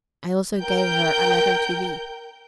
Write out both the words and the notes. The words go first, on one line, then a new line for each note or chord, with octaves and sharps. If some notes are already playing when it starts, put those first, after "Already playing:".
I also gave her a letter to thee.
A#4 G5 G6